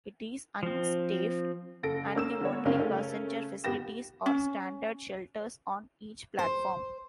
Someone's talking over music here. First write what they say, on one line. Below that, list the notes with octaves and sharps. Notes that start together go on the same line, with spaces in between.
It is unstaffed, and the only passenger facilities are standard shelters on each platform.
F3 C4
F#1 A4 A#6 D7
A#3 C#4 E6 E7
D3 A#3 B3 C#5
F#1 C#2 C4 C#4 A#4 F5
C#3 A3 C#4 A#4
G1 B3 G4 A#6 E7
C#4
C5